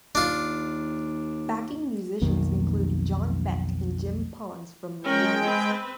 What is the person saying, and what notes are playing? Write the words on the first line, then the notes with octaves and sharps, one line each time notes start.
Backing musicians include John Beck and Jim Pons from the Leaves.
D#2 D4 F4
B1 F2 D#3 A#3
G#3 C#4 A#4 G5
C4 B4